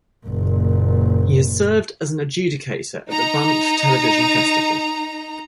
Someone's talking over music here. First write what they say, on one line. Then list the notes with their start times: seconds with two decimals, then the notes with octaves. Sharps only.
He has served as an adjudicator at the Banff Television Festival.
0.26 F#1 A#2
3.10 D#4 A#5